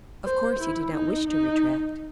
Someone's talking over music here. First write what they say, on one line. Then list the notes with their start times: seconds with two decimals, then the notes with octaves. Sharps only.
Of course he did not wish to retract.
0.26 C5
0.59 E4
0.93 D#4
1.27 D#4